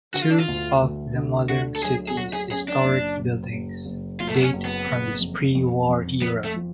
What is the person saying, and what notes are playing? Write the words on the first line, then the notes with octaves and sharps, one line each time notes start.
Two of the modern city's historic buildings date from this prewar era.
D3 F#4
F4
D4
F4
D2
D2
D3
D3 F#4
A4
F#3 G#4
G#4
F#3 F#4
G#4
C#4 G#4
D4
F#1
F#1
F#1
F#1
F#1 F4
A3
B3
C#4
F#1
B3
F#1
F2
F2
F2
F2 B3
A3
F3